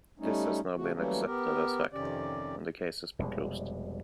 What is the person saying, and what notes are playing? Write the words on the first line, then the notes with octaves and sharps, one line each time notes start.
This has now been accepted as fact, and the case has been closed.
G3 A3 C#4 D#4
C#3 A3 F#4
E3 F#3 G3 A3 A#3 C#4
B3 G4 A#4
F2 C3 D#3 C#4 G4 D5
F1 B2 G3 G#3